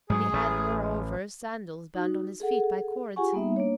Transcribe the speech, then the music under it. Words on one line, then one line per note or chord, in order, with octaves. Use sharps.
He had, moreover, sandals bound on his feet by cords.
G#2 F#3 G#4
A1
D#4 F#4
G#4 A4 F#5
F4 G4 G#4 F#5 G#5 C#6
G3 A#3 B3 D#4 E5
A#3 D4 C#5